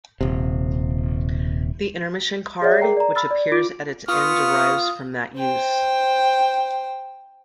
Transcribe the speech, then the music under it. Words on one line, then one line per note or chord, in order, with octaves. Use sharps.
The "Intermission" card which appears at its end derives from that use.
D#1 C3
G#4 C#5 D5 E5 F#5
G#4 A#4 G5 A#5 C7
D5 A#5
B5 E6 F6 A6
D5
F4 D6 D7
B3 F4 C#6 D#6 F6
C5 G5